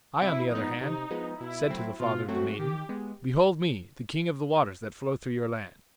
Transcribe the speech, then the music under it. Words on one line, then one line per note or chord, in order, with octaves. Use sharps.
I, on the other hand, said to the father of the maiden, 'Behold me, the king of the waters that flow through your land.
C3 E4
F3 G#3 B3 D#4
C3 D#4
F3 G#3 B3
B2 E4
F#3 A3 C4
B2 F4
F#3 A3 C4 F#4
D#3 G4
G#3 B3